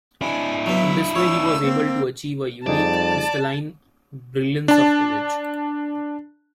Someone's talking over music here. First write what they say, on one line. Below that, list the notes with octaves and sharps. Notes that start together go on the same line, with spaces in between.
In this way he was able to achieve a unique crystalline brilliance of image.
D4 E4 G#5
F#3 B3 E5
C#5 E6
A#3 C4
F2 G3 D#4 G#4 D5 A5
D4 A5